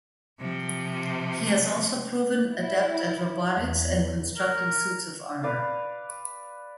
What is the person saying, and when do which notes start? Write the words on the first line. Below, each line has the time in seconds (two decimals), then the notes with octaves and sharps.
He has also proven adept at robotics and constructing suits of armor.
0.40 C3 F3
2.53 E4
3.56 E2
4.37 A#4
5.43 B4 D5 F5